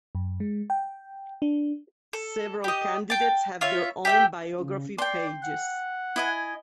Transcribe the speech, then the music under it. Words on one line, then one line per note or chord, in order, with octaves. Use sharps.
Several candidates have their own biography pages.
F#2
G#3
G5
D4
A4
G4 D#5
G5 A5
F4 C#5 E5
G4 E5 G5
C#3
D5 G5 C6
F#5
E4 D#5 G#5